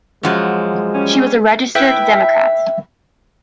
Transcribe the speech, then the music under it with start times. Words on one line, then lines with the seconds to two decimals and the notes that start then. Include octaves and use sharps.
She was a registered Democrat.
0.23 F#2 F3 F#3 G#3
0.94 G3 C#4
1.75 E4 B4 E5 G5